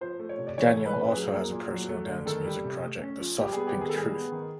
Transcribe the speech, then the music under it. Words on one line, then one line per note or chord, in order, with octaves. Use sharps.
Daniel also has a personal dance music project, The Soft Pink Truth.
F3 C5
A3
C#5
C3
D5
E3 C#5
A3
B4
C#3
F#3 G#4
A#3
A#2
F#3
A3
D3
D#3 A4
G3
C3
A3
C#4
F3
G3 G4
B3 G#4
G4
D#3
G#4
A4
G3 G#4
B3
D#3